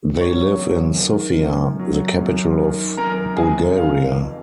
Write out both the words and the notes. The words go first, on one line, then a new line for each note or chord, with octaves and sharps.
They live in Sofia, the capital of Bulgaria.
F#3 C#5 C#6
F#2
D#3
F#2
F#3
F#2
D#3
F#2 A#4 A#5
C3 G#4 G#5
F1 F5
F2